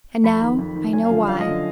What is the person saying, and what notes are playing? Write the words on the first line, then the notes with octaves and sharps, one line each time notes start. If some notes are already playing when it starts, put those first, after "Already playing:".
And now I know why.
F2 B5
D#3
F2
D#3
F#2 G#5
F5
D3 F3
F5
F#2 F5
D#5
D3 F3